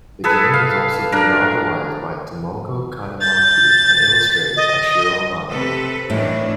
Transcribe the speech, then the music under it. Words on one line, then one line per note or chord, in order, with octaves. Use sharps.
The game has also been novelized by Tomoco Kanemaki and illustrated by Shiro Amano.
G#4 A4 B4
F5
D4 A#4
G6 A6
D#5
C3 A4 B4
A2 D#3 E3 D4